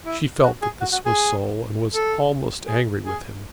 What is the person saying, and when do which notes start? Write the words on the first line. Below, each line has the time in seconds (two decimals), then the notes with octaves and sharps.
She felt that this was so, and was almost angry with him.
0.05 E4
0.44 F#4
0.62 G#4
0.81 F#4
0.93 F#4
1.06 G#4
1.93 A4
2.67 G#4
3.06 G#4